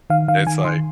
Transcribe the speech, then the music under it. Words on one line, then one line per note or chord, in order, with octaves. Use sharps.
It's, like,
D#3 F5
D#3 F5
D#3 G#5
D#3 C6